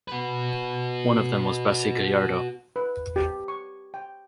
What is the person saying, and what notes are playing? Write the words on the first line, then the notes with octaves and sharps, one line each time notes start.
One of them was Bessy Gallardo.
F#4 B4
B4
G4
C#6
G5